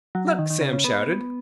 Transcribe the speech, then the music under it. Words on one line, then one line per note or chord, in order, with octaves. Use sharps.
"Look!" Sam shouted.
F#3
F#3
D#3
D#3
C#3
C#3
B3